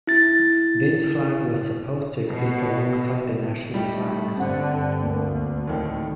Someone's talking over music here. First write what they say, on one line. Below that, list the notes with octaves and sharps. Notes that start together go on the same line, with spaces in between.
This flag was supposed to exist alongside the national flags.
E4 A6
B2
G3 A3 D#4 G4
G2 D3 C4 F#5
D2 A#3
D#2 A2 D#3